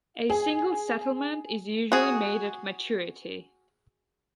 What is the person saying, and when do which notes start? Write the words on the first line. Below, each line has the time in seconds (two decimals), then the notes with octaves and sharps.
A single settlement is usually made at maturity.
0.30 G#4
1.92 F#4 G#4